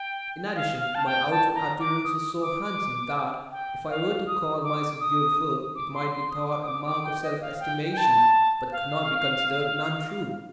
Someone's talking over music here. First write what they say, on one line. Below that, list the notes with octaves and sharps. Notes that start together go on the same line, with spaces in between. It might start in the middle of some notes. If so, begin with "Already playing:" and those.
In addition, my outward appearance was so handsome, that if I were to call myself beautiful, it might be thought a mark of self-estimation, but could not be considered an untruth.
Already playing: G5
F5
F5
A5
G5
A5
A#5
D6
D#6
D6
G5
F5
D#6
D6
D#6
D6
C6
C6
D#6
D6
D#6
D6
D6
G5
D#5
F5
G5
G5
A5
F5